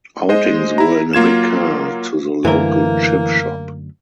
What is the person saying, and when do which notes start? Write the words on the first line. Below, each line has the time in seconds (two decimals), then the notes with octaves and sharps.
Outings were in a big car to the local chip shop.
0.29 G#3 C5 D#5
0.78 E4 A#5
1.13 F#3 A#3 F4 G#6 E7
2.45 F#2 D3 E3 A3 A#3 A#4